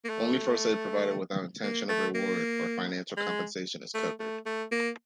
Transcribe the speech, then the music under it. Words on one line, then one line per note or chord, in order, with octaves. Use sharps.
Only first aid provided without intention of reward or financial compensation is covered.
A#3
A3
A#3
A3
A#3
G#3
A3
A3
A3
A#3